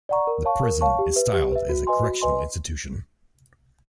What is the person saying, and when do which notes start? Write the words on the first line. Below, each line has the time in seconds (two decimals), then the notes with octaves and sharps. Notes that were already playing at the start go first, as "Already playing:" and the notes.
The prison is styled as a correctional institution.
0.09 D5 F#5 A#5 C#6
0.27 A#4
0.45 C#5 F5 A5 C#6
0.63 A#4
0.81 C#5 F5 A5 C#6
0.99 G4
1.16 B4 E5
1.33 G4
1.52 B4 E5
1.69 F#4
1.87 B4 D#5 G#5 C6
2.03 F#4
2.22 B4 D#5 G#5 C6